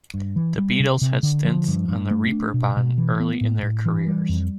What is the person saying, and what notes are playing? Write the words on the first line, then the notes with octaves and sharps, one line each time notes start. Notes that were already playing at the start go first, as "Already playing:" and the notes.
The Beatles had stints on the Reeperbahn early in their careers.
G2
E3
G3
C3
C3
D3
F3
G2
G2
A3
D4
B2
B2
E3
B3
A2
A2
E3
G3
F2